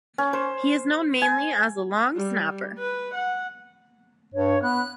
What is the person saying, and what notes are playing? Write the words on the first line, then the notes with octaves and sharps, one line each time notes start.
He is known mainly as a long snapper.
C#4
C5
G#5
G3
B4
F#5
G2 C#5
B3 F#6